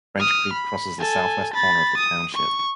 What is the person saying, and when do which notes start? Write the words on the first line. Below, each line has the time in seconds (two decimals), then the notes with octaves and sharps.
French Creek crosses the southwest corner of the township.
0.18 D#6 F6
0.53 B5
1.00 A4 G#5
1.53 B5 A6
1.98 D#6
2.35 C#6